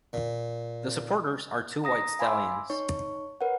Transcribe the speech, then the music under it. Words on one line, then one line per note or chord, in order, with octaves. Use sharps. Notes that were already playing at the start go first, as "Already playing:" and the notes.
The supporters are two white stallions.
A#2
A#5 D#6 A#6
F5 G#5 B5 C6 D6 E6
D#4 C#5 C#6
A#4 B4 C#5 F#5